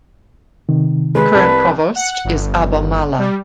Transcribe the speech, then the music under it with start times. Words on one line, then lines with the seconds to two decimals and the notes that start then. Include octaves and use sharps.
The current provost is Abba Mala.
0.69 C3 D#3
1.15 G#3 B4
1.35 C2 A5
1.96 F#5
2.25 G1
3.19 G3